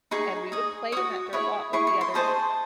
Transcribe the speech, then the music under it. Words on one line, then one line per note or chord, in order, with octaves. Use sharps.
and we would play in that dirt lot with the other
D#4 G#4 C#6
G#4 D#5
F#4 C#5 D#6
E4 G#4 C#5
E4 G#4 C#6
C#6
C6
G#4 C5 D#5 A5